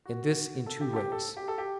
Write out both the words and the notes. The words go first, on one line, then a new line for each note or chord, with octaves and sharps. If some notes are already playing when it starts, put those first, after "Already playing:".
And this in two ways.
F#4
A4
G4
A4
G4
A4
G4
A4
G4